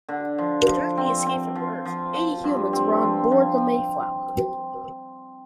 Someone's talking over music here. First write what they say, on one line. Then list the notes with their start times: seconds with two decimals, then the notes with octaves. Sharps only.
During the escape from earth, eighty humans were on board the Mayflower.
0.09 D3
0.38 F3
0.68 F3
0.97 C4
1.26 C4
1.55 F3
1.85 F3
2.14 F3
2.44 G2
2.73 C4
3.02 F3
3.32 F3